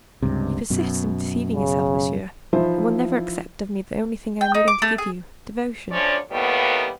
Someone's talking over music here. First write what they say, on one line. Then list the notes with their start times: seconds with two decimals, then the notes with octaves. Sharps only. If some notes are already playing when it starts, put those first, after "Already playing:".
"You persist in deceiving yourself, monsieur, and will never accept of me the only thing I am willing to give you--devotion."
0.22 C#2 G2 C3
0.70 F#2 B2
1.55 C#3
2.53 E3 F3 D#4 E4 C5 E5
4.41 G5
4.55 D#4
4.68 D6
4.82 A3
4.98 G#4
5.91 D2 F3 C#4 D4 C#5 D5
6.31 D#2 A2 G3 A#3 B3